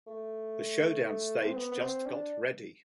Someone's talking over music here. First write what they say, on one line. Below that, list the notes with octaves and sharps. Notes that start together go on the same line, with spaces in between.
The showdown stage just got ready!
A3
C4
B3
B3
C4
D4